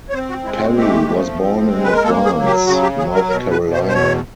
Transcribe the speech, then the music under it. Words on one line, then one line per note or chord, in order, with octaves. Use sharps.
Perry was born in Advance, North Carolina.
C#5
C4 C5
F#4
G#3 E4
F4
F#4
A3 G4
F3
C4
G#3
B4
A#4
A#3 A4
G#4
F#3
G4
C#3 F#4
G4
F#3 G#4
A#4
B2 A#4
B4
B2
C5
C5
E2 C#5